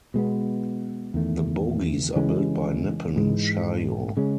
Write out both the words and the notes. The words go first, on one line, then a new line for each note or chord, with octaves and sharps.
The bogies are built by Nippon Sharyo.
B2 G#3 B3
E2 D#3 A3
C#3 E3 G#3 C#4
G#2 E3 G#3
C#3 G#3 C#4